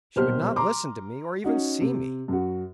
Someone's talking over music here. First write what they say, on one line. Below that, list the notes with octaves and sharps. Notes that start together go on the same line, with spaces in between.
She would not listen to me, or even see me.
D#1 B1 A#3 G4 C5 F6
A#5 C6 D6
C#4 D#4 F#4
C3
F#2 F#4